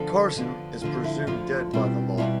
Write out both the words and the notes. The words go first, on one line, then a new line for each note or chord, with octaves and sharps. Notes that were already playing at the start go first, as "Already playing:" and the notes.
Carson is presumed dead by the law.
Already playing: D3 F3 B3 D4 A4
D3 F3 B3 D4
D2 D3 F3 F4
E4
D2 D3 F3 F4
B2 G3 C4 E4
B2 G3 C4 E4 F4